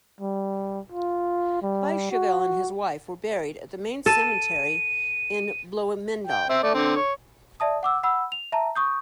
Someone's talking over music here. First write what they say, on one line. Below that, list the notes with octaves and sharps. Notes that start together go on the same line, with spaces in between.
Biesheuvel and his wife were buried at the main cemetery in Bloemendaal.
G3
F4
G3
F#4
A4 D#7
G5
C4 E5
A3 D5
D3 C4
C#5
D5 E5 A5 D#6
F#5 D6 E6
F#5 B5 E6
F7
E5 A5 A#5
C#6 D#6 G6